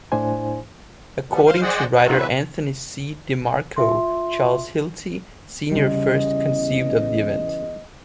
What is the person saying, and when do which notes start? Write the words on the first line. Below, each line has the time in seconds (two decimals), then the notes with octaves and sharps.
According to writer Anthony C. DiMarco, Charles Hilty, Senior first conceived of the event.
0.12 A2 D4 E4 C5 G#5
1.30 F3 G3 B3
1.47 C5 F5 C6
1.62 G#4 C5 D5 D#5 F#5 G5
1.93 B4
2.05 G2 C3 C4 D#4 F4 F#4
2.17 E2 E3 F#3 C4 B4 E5
3.76 F4 E5 C6
5.72 E2 C#3 G3 D#5